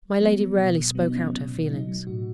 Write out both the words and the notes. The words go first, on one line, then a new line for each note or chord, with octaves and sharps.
My lady rarely spoke out her feelings.
F#3 B3
F#3
B2
B2
F#3 B3
D#4
F#3 C#4
B2
B2
F#3 D#4
F#3
A2 F#4